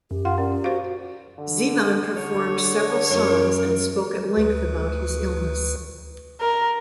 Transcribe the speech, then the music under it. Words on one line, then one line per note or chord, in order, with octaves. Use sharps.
Zevon performed several songs and spoke at length about his illness.
F#2 G4
F4 F#5
A#2 C#4
F#4 C5 F5
D3
D3 C#5
F#2 A#4
D2 B4
A#4